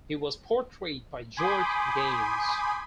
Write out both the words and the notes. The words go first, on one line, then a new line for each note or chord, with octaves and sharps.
He was portrayed by George Gaynes.
G#5 B5 C6 D6 D#6 G6